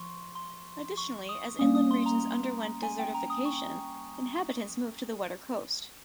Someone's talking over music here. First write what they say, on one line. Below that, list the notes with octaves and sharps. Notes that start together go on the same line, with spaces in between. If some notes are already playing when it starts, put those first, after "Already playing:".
Additionally, as inland regions underwent desertification, inhabitants moved to the wetter coast.
Already playing: F3 C6 C#6
C6
C#6
D#6
G3 A#3 C#4 D#6
D#6
C6
A#5
G#5
G5
A#5
D#6
C#6